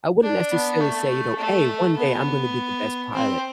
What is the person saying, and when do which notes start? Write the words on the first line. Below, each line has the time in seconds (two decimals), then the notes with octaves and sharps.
I wouldn't necessarily say, you know, "Hey, one day I'm gonna be the best pilot,"
0.23 D4
0.52 B3
0.80 A3
1.39 A3
1.97 B3
3.13 C4